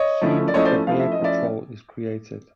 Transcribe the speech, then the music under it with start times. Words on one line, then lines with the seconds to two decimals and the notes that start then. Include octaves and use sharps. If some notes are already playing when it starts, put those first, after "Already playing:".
Soon, the Bear Patrol is created.
Already playing: C#5 D#5
0.21 F3 A3 C#4 E4
0.48 D5
0.54 F3 A3 C#4 E4 C#5 D#5
0.65 C5 D5
0.87 F3 A3 C#4 E4 F5
0.99 E5
1.11 D#5
1.19 F3 A3 C#4 E4 D5 E5